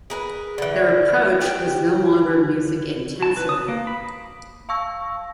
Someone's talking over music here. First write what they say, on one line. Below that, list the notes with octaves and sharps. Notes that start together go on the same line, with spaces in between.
Their approach was no longer music intensive.
G#4 A#4 B4
D3 E3
G4 G5
A5
B4
D#6
A#3
B5
F5 A5 C#6 E6 A#6